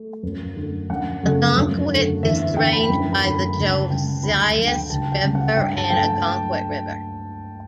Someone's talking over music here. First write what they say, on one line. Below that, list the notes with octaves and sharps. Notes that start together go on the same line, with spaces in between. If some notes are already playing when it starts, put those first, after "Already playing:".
Ogunquit is drained by the Josias River and Ogunquit River.
Already playing: A3
F#2
D3 A3
F#2 F#5
C#3 F#3 A3
F#2
D3 A3
E2 E5
D3 A3 G5
B5
F#2
B5
D3 A3
B5
C#2 A5
C#3 G3 G5
D2 B5
D3 F#3 A3
G5
C#2 A5
G5
C#3 G3
F#5
G2 G5
A5
F#3 A3 G5